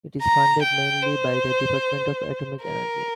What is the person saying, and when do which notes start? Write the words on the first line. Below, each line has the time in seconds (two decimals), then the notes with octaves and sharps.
It is funded mainly by the Department of Atomic Energy.
0.22 A#5
0.63 G5
1.02 C5
2.63 A#4